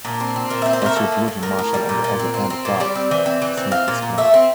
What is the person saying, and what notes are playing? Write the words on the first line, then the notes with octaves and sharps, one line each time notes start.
"That's your bloody marshal on the other end of that," Smith explained.
A#2 D4
C4
C4
A#2 A#4
C4 E5
C5
A3 A#4
A#3 A4
A2
A2
A2 A#4
A2
G3
A#2
A#2
C4
C4
C4
A#2
G3 D5
C4
E3
C4
E3
C4
C4 F5
A#2
A#2
A3 E5
C4